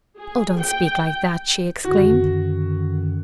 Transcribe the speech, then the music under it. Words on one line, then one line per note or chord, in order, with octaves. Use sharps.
"Oh, don't speak like that," she exclaimed.
G#4
G5
F#2 D3 D#3 F#4